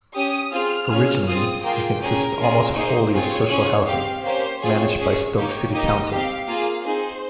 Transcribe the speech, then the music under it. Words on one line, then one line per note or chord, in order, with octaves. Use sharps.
Originally, it consisted almost wholly of social housing, managed by Stoke City Council.
C#4 G4 D#6
C4 F4 G#4 F6
C#4 F4 G#4
C4 F4 G#4 D#6
A#3 F4 G#4 G5
C#4 G#4 A#4
C#4 F4 G#4
A#3 D#4 G#4 C5
C4 F4 G#4 C#5
C#4 F4 G#4
C4 G4 F5
A#3 C#4 G4 C5
C4 F4 G#4 C#5
C#4 G#4
A#3 D#4 G4 C#5
A#3 D#4 G4 D#5
C4 G4 F5
A#3 F4 G#4 F5
C4 D#4 G#4 C5